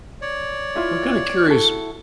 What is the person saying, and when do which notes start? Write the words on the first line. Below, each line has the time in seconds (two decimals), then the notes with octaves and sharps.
I'm kinda curious.
0.22 C#5 D5
0.75 E4 F4 E5
1.47 E4 F#4 A4